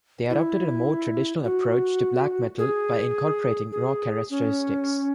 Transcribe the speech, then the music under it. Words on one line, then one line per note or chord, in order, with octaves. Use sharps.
They adopted a more traditional approach to black metal by incorporating raw characteristics.
E4
F#4
G#4
G#4
C#4